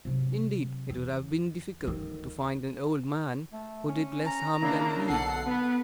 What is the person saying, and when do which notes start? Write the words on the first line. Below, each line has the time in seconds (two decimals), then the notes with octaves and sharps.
Indeed it would have been difficult to find an old man who did less harm than he.
0.05 C3 F#3
0.89 E2
1.83 D2 D#3
3.53 A3
3.88 C#4
4.26 A#5
4.62 C#3 A#3 D4 E4
5.08 B1 D3 A4 F#5 C7
5.47 B3 B4